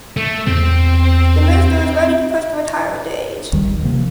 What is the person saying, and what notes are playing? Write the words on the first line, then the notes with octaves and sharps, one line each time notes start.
The minister is ready to push the retirement age.
A3
E2 C4
G#1 D#2 D#3 G3
C3 D#3 F3 A#3